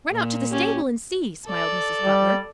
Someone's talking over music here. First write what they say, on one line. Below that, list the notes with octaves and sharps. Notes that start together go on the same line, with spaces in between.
"Run out to the stable and see," smiled Mrs. Butler.
A#2
C#4 G4
A4 D5
G3